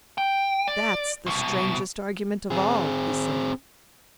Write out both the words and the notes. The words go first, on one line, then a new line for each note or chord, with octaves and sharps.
"That's the strangest argument of all," he said.
G5
D5
C2 B2
C4 G#4